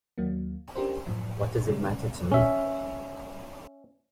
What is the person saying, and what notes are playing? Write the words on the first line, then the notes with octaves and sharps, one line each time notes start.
What does it matter to me?
D#2 F#3 A#3
C#4 D4 G4 A#4 C5
F#2 A2 F3
C#3 G3 G#3 C#4
C#4 E5